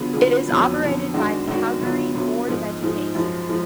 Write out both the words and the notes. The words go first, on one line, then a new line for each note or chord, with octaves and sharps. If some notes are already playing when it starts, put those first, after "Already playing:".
It is operated by the Calgary Board of Education.
Already playing: D3 F#3 B3 F4 G#4
D3 F#3 B3 F4 G#4
F2 D3 F#3 B3
F2 D3 F#3 B3
F#2 D#3 G#3 D4 F#4
F#2 D#3 G#3 D4 F#4
D2 D3 F#3 B3 F4
D2 D3 F#3 B3 F4
G#2 F3 G#3 D#4
G#2 F3 G#3 D#4
F#2 F3 G#3
F3 G#3